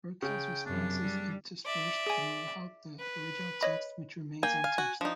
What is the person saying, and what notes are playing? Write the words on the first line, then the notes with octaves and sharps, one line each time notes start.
Birkel's response is interspersed throughout the original text, which remains untouched.
C#3 G5
F#2 C3 D4
G3
D5 E5
G#4 G#5
B4
C#5 D#5 B5
A#3 G5 G#5
F5
F#4
F3 D4 D#4